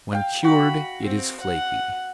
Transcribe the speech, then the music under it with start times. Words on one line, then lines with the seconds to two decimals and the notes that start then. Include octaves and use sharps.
When cured it is flaky.
0.13 F5 G5
0.44 F#4 B5
1.04 C4
1.42 F#5